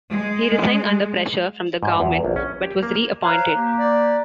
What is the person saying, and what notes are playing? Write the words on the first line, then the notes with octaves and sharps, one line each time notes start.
He resigned under pressure from the government but was re-appointed.
G#3
G#2
E2
A#1
C#4
G4
A#3
C5 C#5 F5 A#5 F#6
A#3 G4
D5